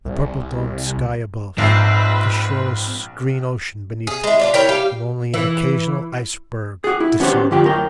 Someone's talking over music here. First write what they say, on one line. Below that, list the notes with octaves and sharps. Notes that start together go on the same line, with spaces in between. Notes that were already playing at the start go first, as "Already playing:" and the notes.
The purple-domed sky above, the shoreless green ocean beneath, and only an occasional iceberg discernible!
C2
A#1 G#2 C4 B4 E5 C7
G#4
G#3 E4
D4 F4 D5
E4 A#4 C#5 G5
G3 G4 F5 G5
E3
F#4 G#4
E4
B3 C#4 D4 F#4 G4 C5
F2 D3 F4 G4 G5
F#2 A2 A#4 G5